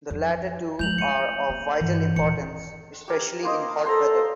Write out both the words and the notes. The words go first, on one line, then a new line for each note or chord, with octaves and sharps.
The latter two are of vital importance, especially in hot weather.
F2
F3 G#3 G6 F7 F#7
A3 C#7 D#7
A#3
G1 E3
D#1 D#2 C#7
G4 A#4 G#5
A#3 C5 D#5
A4 C5 A#5